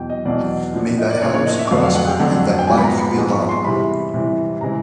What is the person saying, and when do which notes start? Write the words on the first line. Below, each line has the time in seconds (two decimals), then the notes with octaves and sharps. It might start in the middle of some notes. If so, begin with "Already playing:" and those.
May thy house prosper and thy life be long!
Already playing: E2 B2 F#3 G5
0.10 D#5
0.25 E2 B2 F#3 D5
0.74 A2 F3 A#3 D4
0.99 D#5
1.10 D5
1.22 A2 F3 A#3 D4 C#5
1.34 C#5
1.46 D#5
1.59 E5
1.71 F2 D3 F#3 A3 D4 F5
1.83 F5
1.95 F#5
2.07 G5
2.19 F2 D3 F#3 A3 D4
2.59 G5
2.67 G#2 F3 G#3 B3 G#5
2.78 B5
2.84 A#5
3.00 B5
3.16 G#2 F3 G#3 B3
3.32 C#6
3.49 C6
3.65 C3 E3 G3 B5
4.14 C3 E3 G3
4.61 C#3 E3 G#3 C4 A#5